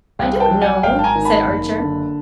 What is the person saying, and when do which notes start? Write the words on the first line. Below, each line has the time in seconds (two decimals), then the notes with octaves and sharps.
"I don't know," said Archer.
0.19 C2 F5 G5
0.40 G5 A5
0.51 F#3
0.62 F#5 G#5
0.83 G#1 F5 G5
0.99 A5
1.04 G#5 A#5
1.15 D#3
1.25 A5 B5
1.48 F#1
1.79 D3